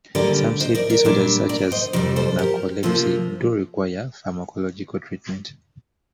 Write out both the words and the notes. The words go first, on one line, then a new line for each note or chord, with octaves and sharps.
Some sleep disorders such as narcolepsy do require pharmacological treatment.
D#2 D3 G3 A#4 D5
C5 D#5
A#4 D5
A#4 D5
A#2 G3 D4
A#4 D5
C5 D#5
F2 C3 G3 A#4 D5
A4 C5
G4 A#4
C3 F3 A#3 F4 A4